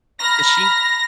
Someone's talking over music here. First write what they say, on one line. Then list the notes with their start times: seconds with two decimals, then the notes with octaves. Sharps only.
And she
0.19 A#5 B5 F6 A#6